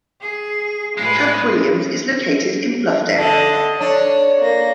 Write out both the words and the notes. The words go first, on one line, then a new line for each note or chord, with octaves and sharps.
Camp Williams is located in Bluffdale.
G#4
A2 G#3 F4 B4
D3 D#5 A5
D4 C#5
A#3 A#6